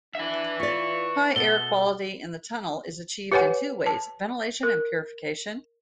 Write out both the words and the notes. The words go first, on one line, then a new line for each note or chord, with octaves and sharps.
High air quality in the tunnel is achieved in two ways: ventilation and purification.
D4 B4 E5
F4 D5 C#6
B2 A4 G7
G4 B4 C#5 F#5 G#5
A5
A#4